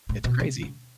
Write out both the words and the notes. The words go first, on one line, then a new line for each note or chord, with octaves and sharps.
it's crazy.
A2
B2
C3
C#3